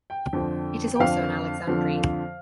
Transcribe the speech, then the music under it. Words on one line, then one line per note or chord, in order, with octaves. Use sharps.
It is also an alexandrine.
G5
F2 D3 F3
G5
F2 D3 F3 F5
F2 D3 F3